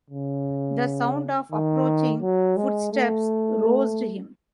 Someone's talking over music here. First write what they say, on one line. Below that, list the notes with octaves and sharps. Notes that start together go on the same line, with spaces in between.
The sound of approaching footsteps roused him.
C#3
D#3
F#3
G#3
A3